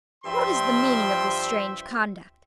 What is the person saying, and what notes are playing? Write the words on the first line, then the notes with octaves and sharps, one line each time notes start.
What is the meaning of this strange conduct?
G2 F3 E5 G5 C6